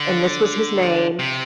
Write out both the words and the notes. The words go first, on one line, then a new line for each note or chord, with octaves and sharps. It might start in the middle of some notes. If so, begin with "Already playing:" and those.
and this was his name,
Already playing: D3
C3